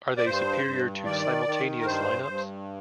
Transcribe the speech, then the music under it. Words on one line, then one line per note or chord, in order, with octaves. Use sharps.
Are they superior to simultaneous lineups?
D5
G2 C5
G2
D#3 D5
D#3
A#4
G2 C5
G2